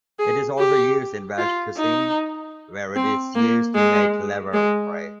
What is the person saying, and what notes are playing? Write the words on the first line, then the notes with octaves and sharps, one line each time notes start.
It is also used in Welsh cuisine, where it is used to make laverbread.
G#4
G4
F4
D#4
C4
A#3
G#3
G#3